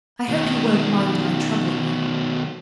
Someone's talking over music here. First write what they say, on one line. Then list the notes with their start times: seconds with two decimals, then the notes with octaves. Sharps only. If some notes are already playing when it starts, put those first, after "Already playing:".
I hope you won't mind my troubling you.
0.28 B2 D#3